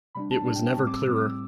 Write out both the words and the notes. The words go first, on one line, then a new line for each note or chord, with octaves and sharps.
It was never clearer.
C3 G3 D4 B5
A5
C3 G3 D4 A5
G5
G5
A2 G3 C4 A5
D6
E6
A2 G3 C4